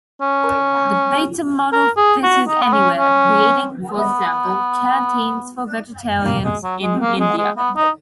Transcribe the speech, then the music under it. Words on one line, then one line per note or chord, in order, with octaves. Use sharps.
The Bata model fitted anywhere, creating, for example, canteens for vegetarians in India.
C#4
A#4
G#4
F#4
D#4
B3
C#4
C#4
B3
A#3
G#3
F#3
G#3
A#3
G#3
G#3
B3
D#4